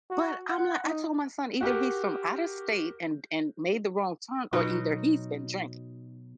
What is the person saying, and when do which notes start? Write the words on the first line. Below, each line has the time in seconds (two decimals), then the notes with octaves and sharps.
but, I'm like I told my son either he's from out of state and and made the wrong turn or either he's been drinking.
0.10 F#4
0.49 F#5
0.84 D#4
1.61 F#4 G4 A#4
4.53 B2 F#3 D#4 F#4